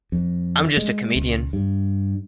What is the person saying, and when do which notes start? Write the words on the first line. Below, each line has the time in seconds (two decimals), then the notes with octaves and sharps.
I'm just a comedian.
0.12 F2
0.77 G#3
1.16 C#2
1.53 G2